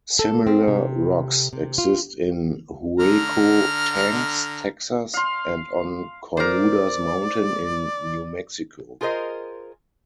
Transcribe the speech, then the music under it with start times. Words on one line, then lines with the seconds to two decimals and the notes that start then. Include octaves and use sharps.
Similar rocks exist in Hueco Tanks, Texas, and on Cornudas Mountain in New Mexico.
0.19 A4
0.47 C4
0.68 C3
1.53 C3
1.78 F4
3.00 D3 A#5 F6
5.14 F5 C6
6.37 A#4 C5 D5
9.01 F4 G#4 A#4 C5 D#5